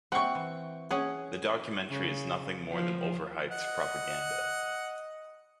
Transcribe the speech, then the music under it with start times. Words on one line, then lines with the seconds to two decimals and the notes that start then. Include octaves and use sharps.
The documentary is nothing more than overhyped propaganda.
0.12 C4 E4 F#5 G5 C#6
0.35 E3
0.91 C#4 G#4 F#5
1.89 C#3
2.71 F3
3.51 D#5 F#5